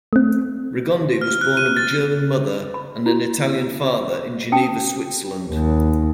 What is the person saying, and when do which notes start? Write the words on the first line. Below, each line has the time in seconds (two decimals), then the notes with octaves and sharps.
Regondi was born of a German mother and an Italian father in Geneva, Switzerland.
0.13 A3 C4
1.21 F6
1.41 F#6
1.57 D#7
1.77 A6
2.74 B5
3.06 E4 F#4
4.52 C#4 G5 A5 D#6
5.49 D#2